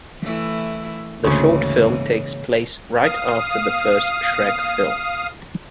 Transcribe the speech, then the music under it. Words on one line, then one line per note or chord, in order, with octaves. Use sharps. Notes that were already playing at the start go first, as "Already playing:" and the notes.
The short film takes place right after the first Shrek film.
E3 A3 E4
D2 G#2 C#3 E3 A#3 C#4 C5
F5 D#6